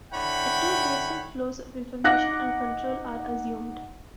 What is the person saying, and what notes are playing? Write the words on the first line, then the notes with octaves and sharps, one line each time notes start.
The two basic flows of information and control are assumed.
D3 E4 C#5 F#5 G5 B5
D#4 F#5 D6 F#6 A#6